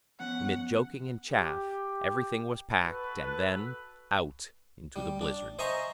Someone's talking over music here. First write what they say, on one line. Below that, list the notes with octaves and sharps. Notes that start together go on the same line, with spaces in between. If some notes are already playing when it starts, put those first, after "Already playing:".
Amid joking and chaff, everything was packed, and then -- out into the blizzard.
F3 B3 C#4 F#5
G4
F#4 A4 B4
G3
D4
C5 D#5 E5 G#5 A#5 C#6